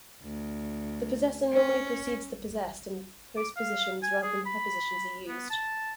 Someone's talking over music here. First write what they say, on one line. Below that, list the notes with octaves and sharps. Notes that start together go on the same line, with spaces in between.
The possessor normally precedes the possessed, and postpositions rather than prepositions are used.
D2
C#4
D6
F5
G#5
G#4
B5
B3
A5